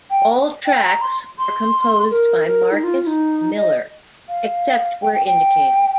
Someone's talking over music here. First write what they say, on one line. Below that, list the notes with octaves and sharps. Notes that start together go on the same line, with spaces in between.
All tracks were composed by Marcus Miller, except where indicated.
G5
G5
A#5
C6
C6
A#4
A#4
D#4
F4
F4
D#4
D#5
F5
G5
G5
G5